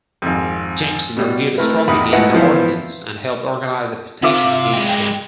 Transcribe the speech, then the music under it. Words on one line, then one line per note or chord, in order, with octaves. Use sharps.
Jameson argued strongly against the ordinance, and helped organize a petition against it.
G#1 F2
B2 G3
A3 C4 E4 A#4 B4
A1 E2 D#4 G4 B5
G#2 A3 E4 B4 D#5 F#5
E3 F3 B3 E4 C5
C3 F4 E5 D6
G#3 G4
G5